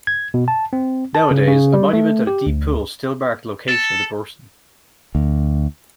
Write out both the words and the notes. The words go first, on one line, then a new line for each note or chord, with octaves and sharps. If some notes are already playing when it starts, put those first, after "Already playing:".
Nowadays, a monument and a deep pool still mark the location of the bursting.
G#6
B2
A5
C4
A5
C#3
C#3
G3
A3
G4
D2
A4
D2